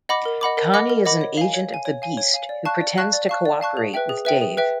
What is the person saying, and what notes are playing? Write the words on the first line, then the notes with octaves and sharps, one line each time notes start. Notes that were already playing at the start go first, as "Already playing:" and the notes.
Connie is an agent of the Beast who pretends to cooperate with Dave.
D#5 F#5 B5 D6
A#4
D#5 F#5 B5 D6
A#4
D#5 F#5 B5 D6
A#4
D#5 F#5 B5 D6
C#5
F5 G#5
C#5
F5 G#5
C#5
F5 G#5
C#5
F5 G#5
D5
F5 A5 C#6 F#6
D5
F5 A5 C#6 F#6
D5
F5 A5 C#6 F#6
D5
F5 A5 C#6 F#6
G#4
B4 E5 G5
G#4
B4 E5 G5
G#4
B4 E5 G5